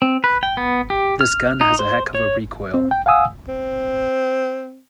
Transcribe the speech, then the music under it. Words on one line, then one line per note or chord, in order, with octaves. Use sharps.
This gun has a heck of a recoil.
C4
B4
G5
B3
G4
F6
D#4
C5
C#5
C4
G5
F5 F#5 G#5 D#6 E6
C4